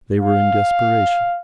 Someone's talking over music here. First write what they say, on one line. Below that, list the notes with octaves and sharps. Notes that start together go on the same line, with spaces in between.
They were in desperation.
F5